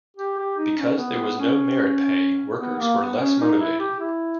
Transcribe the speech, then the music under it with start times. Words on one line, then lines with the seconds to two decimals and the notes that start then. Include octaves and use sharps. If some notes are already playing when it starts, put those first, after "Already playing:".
Because there was no merit pay, workers were less motivated.
0.17 G4
0.37 G4
0.57 D#4
0.77 C#4
0.97 B3
1.38 C#4
2.59 B3
2.79 A#3
2.99 B3
3.19 C#4
3.40 D#4
3.60 E4
3.79 G4
3.99 E4